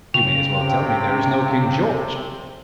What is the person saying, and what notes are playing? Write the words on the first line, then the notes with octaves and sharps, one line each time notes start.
You may as well tell me there is no King George.
C#3 G5 F7
C3